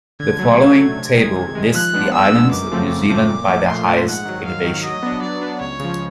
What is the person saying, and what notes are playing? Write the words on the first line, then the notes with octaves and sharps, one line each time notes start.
The following table lists the islands of New Zealand by their highest elevation.
D3 G#6
F#3 A3
D3 G#6
F#3 A3
C3
D#3 G#3
C3
D#3 G#3
F3 F#6
G#3 B3 D4
F3 E6
G#3 B3 D4
F#2 D6
C#3 F3 A3 C4
F#2 D6
C#3 F3 A3 C4
A#2
F3 A3
A#2 C6
F3 A3
G#2 F#5
D#3 F#3
G#2 F5
D#3 F#3
F#3 D#5
B3 D4
F#3 D5
B3 D4
C#2 C#5
C#3 F3